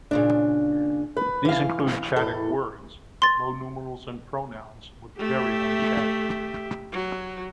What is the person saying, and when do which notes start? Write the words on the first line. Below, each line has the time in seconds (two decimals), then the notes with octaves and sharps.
These include Chadic words, but low numerals and pronouns look very un-Chadic.
0.11 A#2 C#3 D4
1.17 B4
1.45 E3 F5
2.16 E2 A2 A4
3.22 C6 A6
5.19 A3 G4 E5
6.92 F#3